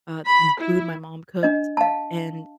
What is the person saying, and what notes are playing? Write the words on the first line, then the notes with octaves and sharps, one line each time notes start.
uh, some food my mom cooked. And
B5
E4
D4 D#5
F5 A5